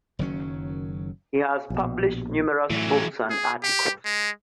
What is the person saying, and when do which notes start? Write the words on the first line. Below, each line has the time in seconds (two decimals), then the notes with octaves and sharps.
He has published numerous books and articles.
0.19 F#1 D#3 F#3 C#4
1.70 A#1 B2
2.70 A2 E3 F#3
3.30 G#4
3.63 G4
4.05 G#3